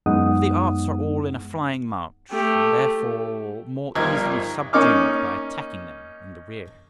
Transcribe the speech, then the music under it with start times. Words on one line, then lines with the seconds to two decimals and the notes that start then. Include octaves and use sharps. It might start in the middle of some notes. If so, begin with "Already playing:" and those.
For the arts are all in a flying march, and therefore more easily subdued by attacking them in the rear.
0.06 F#2 G#3 B3 D#4 F#5 D#6
2.31 A3 G4
3.95 G1 F3 G3 D#4 A#4 G#6
4.73 A#3 C#4 D#4 D6 F6